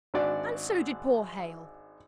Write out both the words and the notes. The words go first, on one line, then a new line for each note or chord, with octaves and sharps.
'And so did poor Hale.
G#1 D4 F#4 D5